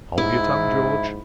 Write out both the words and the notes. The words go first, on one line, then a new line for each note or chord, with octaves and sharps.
Hold your tongue, George!
G#2 E4